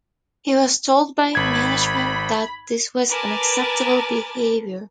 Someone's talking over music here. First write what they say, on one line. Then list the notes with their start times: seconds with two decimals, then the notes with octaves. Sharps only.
He was told by management that this was unacceptable behaviour.
1.35 G#1 B5 G#6
3.08 A#4 B4 G#5 A5 D6 A6